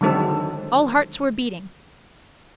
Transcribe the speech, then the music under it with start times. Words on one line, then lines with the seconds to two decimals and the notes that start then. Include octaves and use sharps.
All hearts were beating.
0.01 D3 D#3 F#3 G#3 C4 A4